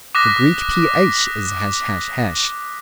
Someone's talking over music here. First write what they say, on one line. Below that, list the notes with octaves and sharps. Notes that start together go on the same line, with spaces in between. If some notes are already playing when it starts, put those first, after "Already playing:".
The Greek ph is ### .
D6 D#6 F#6 A#6 B6